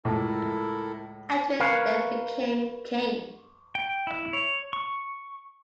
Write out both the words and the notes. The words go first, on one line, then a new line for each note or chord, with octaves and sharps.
Edwin then became king.
C#2 A2 E4 A4 A#4
A#4 B4 C#5 F5
G5
E4
C#5
C#6